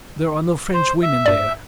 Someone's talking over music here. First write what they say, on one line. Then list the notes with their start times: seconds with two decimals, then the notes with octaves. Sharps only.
There are no French women there.
0.74 C5
1.03 E5
1.26 G2 D5